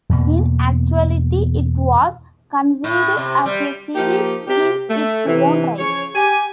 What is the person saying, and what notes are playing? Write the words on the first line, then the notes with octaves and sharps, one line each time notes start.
In actuality, it was conceived as a series in its own right.
E2 B2 A#3
A2
C3
G3
F3 A#3 D#4 G4
C3 G4
A3
C3 E3
C#3 F3 C#5
G4 G#5